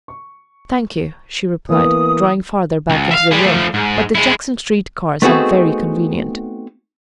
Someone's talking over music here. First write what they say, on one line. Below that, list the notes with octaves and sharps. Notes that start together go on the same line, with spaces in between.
"Thank you," she replied, drawing farther back into the room; "but the Jackson Street cars are very convenient."
C#6
E3 A#3 B3 D#6
C#2
E5 F5
G3 G#4
F3 A3
G#2
G#3 E4
A3 B3 C4 D#4 F#4 G#4